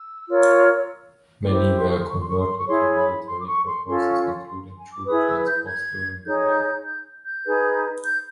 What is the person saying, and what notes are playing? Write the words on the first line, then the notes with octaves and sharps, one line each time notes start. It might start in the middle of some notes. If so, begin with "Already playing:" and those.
Many were converted to military purposes including troop-transports during the war.
Already playing: E6
F4 A#4 C#5
E4 G4 C5 D6
C6
C#6
C6
C#6
C6
C#6
C6
C#6
E4 G#4 C#5 C6
B5
C6
D6
C#6
C6
C#4 F4 A4 C6
C6
C#6
C6
C6
G#5
D6
E4 G#4 B4 D#6
E6
G6
G#6
D#4 G#4 C#5 G6
G#6
G6
G6
G6
D#4 G#4 B4
G6